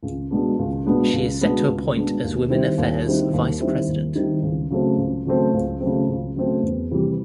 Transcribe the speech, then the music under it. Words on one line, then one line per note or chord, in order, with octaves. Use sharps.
She is set to appoint as Women Affairs's Vice President.
C#2
B2 G#3 B3 D4
C#2
B2 G#3 B3 D4
C#2
B2 G#3 B3 D4
C#2
B2 G#3 B3 D4
D#2
D#3 G3 C4 E4
D#2
D#3 G3 C4 E4
D#2
D#3 G3 C4 E4
D#2
D#3 G3 C4 E4
C#2
C#3 F#3 A3 C4
C#2
C#3 F#3 A3 C4
C#2
C#3 F#3 A3 C4
C#2
C#3 F#3 A3 C4
E2
C3 E3 G3